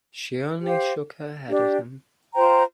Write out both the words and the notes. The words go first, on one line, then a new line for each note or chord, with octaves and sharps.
She only shook her head at him.
G4 C5 F5
D4 G4 D5
F4 C5 G5 A#5